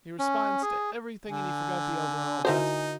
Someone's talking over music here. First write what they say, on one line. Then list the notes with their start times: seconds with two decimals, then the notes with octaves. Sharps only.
He responds to everything and he forgot the elder and all that.
0.19 C#4
0.62 G#4
1.28 D3 G#5
2.45 D3 D#4 E4 F#4 A#4 C5